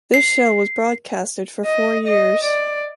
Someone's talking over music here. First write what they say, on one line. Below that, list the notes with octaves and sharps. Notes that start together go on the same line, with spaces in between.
This show was broadcasted for four years.
C7
D#5
D#5
D5